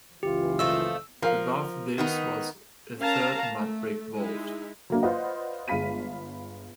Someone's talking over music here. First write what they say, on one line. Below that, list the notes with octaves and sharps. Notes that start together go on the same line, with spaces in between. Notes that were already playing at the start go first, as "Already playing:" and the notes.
Above this was a third mudbrick vault.
F#1 C#2 E3 F4 G4
F3 A3 D#4 E6
F3 A#4 F5
D#3 B3 D#4
C#4 A#4 F5 A5 A#5
A3
G#3 D#4 E4
F#3 A#3 D4
F4 B4 C5 D5 D#5 F#5
G1 G#3 F5 B5 B6 D#7